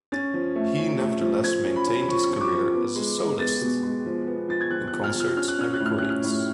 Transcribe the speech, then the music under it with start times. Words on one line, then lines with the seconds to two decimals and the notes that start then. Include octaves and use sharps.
He nevertheless maintained his career as a soloist in concerts and recordings.
0.12 C#4 A6
0.34 F3
0.55 A3
0.78 C#4
1.00 A3
1.21 F3
1.43 F3 G#6
1.65 C#4
1.76 B5
1.87 C#4
2.02 B5
2.08 F3 C#6
2.30 F3
2.36 C#6
2.41 D6
2.52 F3
2.74 B3
2.96 G#3
3.18 G#3
3.39 B3 A6
3.61 B2
3.83 G#3
4.06 F3
4.27 B3
4.48 F3 A6
4.61 G#6
4.71 F3 F#6
4.88 F#6
4.93 F3
5.04 F6
5.15 F3
5.20 F6
5.37 C#4 F6
5.48 F#6
5.58 C#4 F6
5.73 F#6
5.80 A2
5.86 F6
5.98 C#4 F#6
6.10 F6
6.24 A2